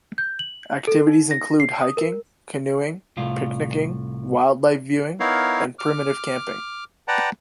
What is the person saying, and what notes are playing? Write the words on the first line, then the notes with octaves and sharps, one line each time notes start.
Activities include hiking, canoeing, picnicing, wildlife viewing and primitive camping.
G6
F#7
A4
D#4
A#6
C7
D#6
A#4
C2 A2 F4
B3 D#4 E4 A#4 C#5 F5
D6 F6
B4 D5 F#5 G5 A5 A#5